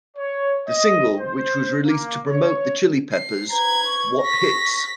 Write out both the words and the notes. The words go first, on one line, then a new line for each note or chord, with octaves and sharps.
The single, which was released to promote the Chili Peppers' What Hits!?
C#5
D#5
C5
A#3
C#5
C7
B4 A#5 G#6
C#6
A#6 B6